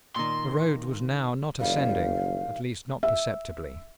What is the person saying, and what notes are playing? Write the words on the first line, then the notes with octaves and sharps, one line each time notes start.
The road was now not ascending, at least not perceptibly.
A#2 D#3 C6
F#1 D#3 G3 F5
E5